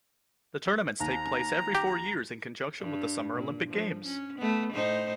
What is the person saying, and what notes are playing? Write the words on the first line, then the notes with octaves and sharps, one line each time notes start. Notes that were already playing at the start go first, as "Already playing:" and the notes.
The tournaments take place every four years, in conjunction with the Summer Olympic Games.
D#2 A#5
G4
G2
A#2
F3
C#4
A3 B3
A2 D#4 C5